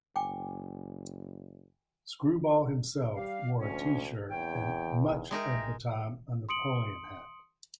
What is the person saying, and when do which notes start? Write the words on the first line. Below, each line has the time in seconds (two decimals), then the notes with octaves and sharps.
"Screwball" himself wore a T-shirt and, much of the time, a Napoleon hat.
0.16 F#1 G5 G#5 D6
3.14 G3 G4 F5
3.60 D2 F3 G#3 C#4
4.30 E2 C4 C#5 G5
5.31 G#3 D#4 A#4 E5 G5
6.49 C6 D#6 C#7 D7 F#7